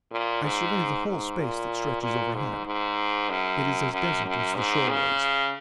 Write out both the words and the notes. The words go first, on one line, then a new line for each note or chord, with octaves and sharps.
I survey the whole space that stretches overhead; it is as desert as the shore was.
A#2
G#2
G#2
A#2
A#2
G#2
G#2
F#2
F#2
F#2
G#2
C#3